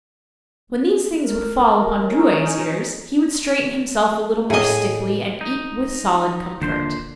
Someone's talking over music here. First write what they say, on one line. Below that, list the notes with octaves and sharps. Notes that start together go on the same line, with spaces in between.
When these things would fall upon Drouet's ears, he would straighten himself a little more stiffly and eat with solid comfort.
A#4
C#4 D#4
A2 G#4 D#5 G#5
D#4
D#1 A#2 D3 C5 C6